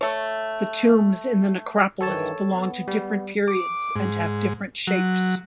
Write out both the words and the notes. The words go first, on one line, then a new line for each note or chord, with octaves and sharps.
The tombs in the necropolis belong to different periods and have different shapes.
A3 C#5
G2 D#3 E3 A4 C#5 A5
B3
G3
D6
G#2
F#3